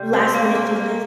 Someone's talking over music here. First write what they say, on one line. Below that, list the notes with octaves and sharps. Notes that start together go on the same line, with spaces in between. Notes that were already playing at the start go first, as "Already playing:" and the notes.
last minute changes,
Already playing: C3 G3
C4
A#3
A#3
A#3